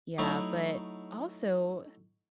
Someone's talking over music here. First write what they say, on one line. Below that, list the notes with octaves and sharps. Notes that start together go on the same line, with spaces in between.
yeah. But also
F#3 A3 D#4 E4